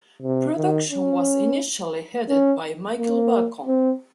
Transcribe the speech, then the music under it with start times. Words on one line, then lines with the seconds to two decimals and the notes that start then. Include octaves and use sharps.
Production was initially headed by Michael Balcon.
0.22 C3
0.57 D#3
0.91 C#4
2.29 C#4
2.98 A#3
3.67 C4